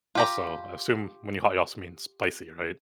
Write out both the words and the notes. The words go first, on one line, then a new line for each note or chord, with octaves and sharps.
Also, I assume when you hot, you also mean spicy, right?
F4 G4 A#5